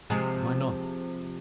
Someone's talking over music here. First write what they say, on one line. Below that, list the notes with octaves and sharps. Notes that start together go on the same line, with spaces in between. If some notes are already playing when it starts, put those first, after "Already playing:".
Why not?
C3 F3 G#3